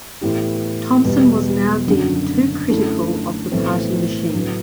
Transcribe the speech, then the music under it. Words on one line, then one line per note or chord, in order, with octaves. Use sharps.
Thomson was now deemed too critical of the party machine.
A2 E3 B3 E4 G4
E2 B2 G3
F#1 F#2 D3
F#2 D3 A3 E4 A4
B1 A2 E3 A3 C4
A2 F#3 B3